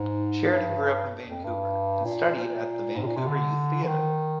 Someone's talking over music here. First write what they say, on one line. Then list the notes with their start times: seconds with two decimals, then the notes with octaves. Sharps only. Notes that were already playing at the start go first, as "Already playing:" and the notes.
Sheridan grew up in Vancouver and studied at the Vancouver Youth Theatre.
Already playing: G#2
0.52 G2
1.28 F2
1.44 G2
2.04 A#2
2.35 A#2
2.96 G#2
3.03 C3
3.06 A#2
3.17 C3
3.27 D3
3.83 F3
3.87 D#3